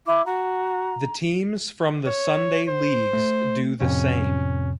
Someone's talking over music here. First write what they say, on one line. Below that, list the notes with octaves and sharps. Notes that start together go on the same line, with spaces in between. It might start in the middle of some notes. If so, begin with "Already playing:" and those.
The teams from the Sunday leagues do the same.
E4 D6
F#4 A#5
C#5
C5
A3
F2 A2 C3 C#4